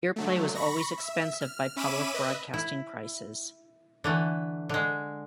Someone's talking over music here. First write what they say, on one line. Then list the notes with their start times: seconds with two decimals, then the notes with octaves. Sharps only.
Earplay was always expensive by public broadcasting prices.
0.16 D3 F#3 A3
0.55 B5 C#6 A#6
0.98 E5
1.41 F6
1.76 C#4 E5 B5 D6 D#7 E7
2.14 B4 D#5 E5
2.54 E4
4.04 D3 E3 A3
4.69 D3 G#3